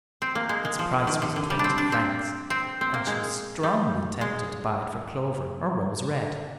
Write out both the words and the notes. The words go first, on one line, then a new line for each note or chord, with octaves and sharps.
Its price was twenty francs, and she was strongly tempted to buy it for Clover or Rose Red.
C4
A#3
G#3
G#3
F3
D#3
C3
D3
G3
C4 D4
D4
C4
C4
C4
A#3
G#3
G3
G#3